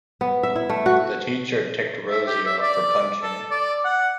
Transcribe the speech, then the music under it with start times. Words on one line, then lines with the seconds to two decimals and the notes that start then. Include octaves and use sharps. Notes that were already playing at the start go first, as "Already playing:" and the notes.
The teacher ticked Rosie off for punching.
0.21 B3
0.43 E5
0.56 E4
0.69 A3
0.86 F#4
2.10 E5
2.27 G4
2.46 E5
2.62 D5
3.22 A4
3.51 D5
3.84 F#5